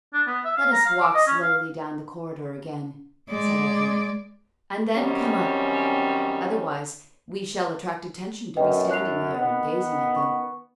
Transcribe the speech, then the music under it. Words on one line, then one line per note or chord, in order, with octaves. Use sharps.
"Let us walk slowly down the corridor again," said Evelyn, "and then come up; otherwise we shall attract attention to be standing here and gazing at them."
D4
B3
E5
F5
A#5
F5
D6
D#5
C#4
F5
G#3 D5
F#2 D#3 G3 C4 C#4
B1 F#2 B4 D#5 G5
F#6 C7 F7
D#3 B3
C#6